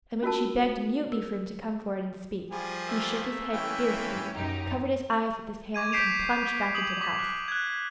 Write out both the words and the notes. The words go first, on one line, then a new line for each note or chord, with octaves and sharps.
And when she begged mutely for him to come forward and speak, he shook his head fiercely, covered his eyes with his hand, and plunged back into the house.
C#4 F4 F#4 A#4 A5
A#4
F3 G3 G#4
A3 A#3 E5
E3 C#4 G5
F#2 D#4 G4
C#6 D6 G#6 D#7
G6 B6 C7 D7 E7 F7
D#6 F#7
D6 B6
F#6
F#6 G#6